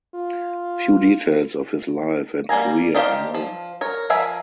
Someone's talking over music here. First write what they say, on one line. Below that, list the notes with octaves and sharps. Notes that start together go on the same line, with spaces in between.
Few details of his life and career are known.
F4
G3 A#3 G#5 A#5
D4 D#4 G4 C5 F5
F3
A#4 C#5
F3 A#4 E5 G#5 B5